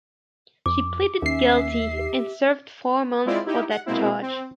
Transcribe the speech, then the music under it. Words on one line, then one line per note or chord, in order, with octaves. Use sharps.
She pleaded guilty and served four months for that charge.
F2 D6
D#2 C#4 E5 C7
G4
G#3 C4 E4 F4 D5
D#4 E4 G4
F#5
B2 G#3 A#3 C4 E4
C4